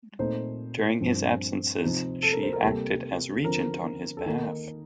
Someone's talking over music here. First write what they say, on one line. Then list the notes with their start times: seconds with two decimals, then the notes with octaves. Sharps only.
During his absences, she acted as regent on his behalf.
0.19 A#2 A3 C4 D#4 C5
1.00 G2 F3 C4
1.82 C3 F3 C4 D#4
2.23 A4
2.32 A#4
2.43 C5
2.53 A#4
2.63 C3 G3 A#3 A4
3.45 D3 F3 C4 A#4
4.17 A4
4.26 D#3 A#3 D#4 A#4